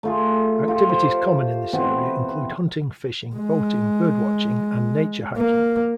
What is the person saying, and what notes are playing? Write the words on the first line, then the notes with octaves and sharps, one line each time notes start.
Activities common in this area include hunting, fishing, boating, bird watching and nature hiking.
A3 F4 G#4
F4 G4
C5
E3 B3 C4 F#4
G#3
A#3